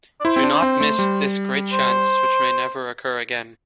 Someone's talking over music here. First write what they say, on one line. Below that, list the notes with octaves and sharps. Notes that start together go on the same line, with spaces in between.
Do not miss this great chance, which may never occur again.
D5
E4 C5
C4
D4
C4
A3
G3
C5